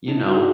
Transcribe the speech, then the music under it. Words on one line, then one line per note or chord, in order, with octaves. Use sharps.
you know,
D#4
E4
F#4
G#4